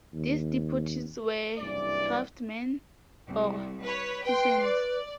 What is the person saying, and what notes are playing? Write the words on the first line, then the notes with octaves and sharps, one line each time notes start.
These deportees were craftsmen or peasants.
D#2
F#1 C2 G2 E3 D5
C2
B4 C#5
B4 G5 C6
D5